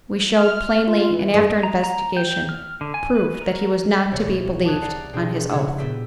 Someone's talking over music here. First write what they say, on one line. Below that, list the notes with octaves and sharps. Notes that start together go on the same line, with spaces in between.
We showed plainly, and after investigation proved, that he was not to be believed on his oath.
F6
F4
E3
G2 G#3
A#5
A#5
G5
F6
D3
G#5
B4
A#4
E1 C2 C#5 D5 G#6
A5 D6 D#6 F#6 G#6
D5 F#5 A#5 C7
B2 C4 D4 G4 G#4
F1 C#3 E4 F#4 G#6
A#2 B3 G4 E6 B6